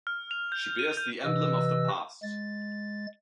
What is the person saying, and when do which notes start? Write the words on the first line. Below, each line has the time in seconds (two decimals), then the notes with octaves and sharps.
She bears the emblem of the past.
0.07 F6
0.31 F7
0.52 G6
0.79 D#7
0.97 G6
1.24 C3 E3 B4 D#5 E6
2.23 G#3 A6